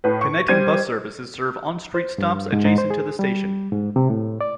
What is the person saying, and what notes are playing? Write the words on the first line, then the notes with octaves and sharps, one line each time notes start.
Connecting bus services serve on-street stops adjacent to the station.
A2 B4
C#6
G3 C5 G#6 D#7
C5
G2
G#2
G#2
C5
G#4
G3
G#2
C3
A2
D5